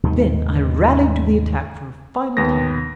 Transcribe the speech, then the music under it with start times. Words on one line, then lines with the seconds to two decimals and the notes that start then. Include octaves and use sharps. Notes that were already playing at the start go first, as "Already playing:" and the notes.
Then I rallied to the attack for a final time.
0.03 D#2 G#2 C3 D#3
2.37 D#2 B3 A#6